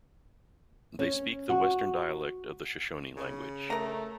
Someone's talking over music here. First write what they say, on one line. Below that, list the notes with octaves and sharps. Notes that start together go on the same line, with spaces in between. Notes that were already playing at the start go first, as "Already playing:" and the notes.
They speak the Western dialect of the Shoshone language.
C#4
F#4
C#3
A3 A#4 A#5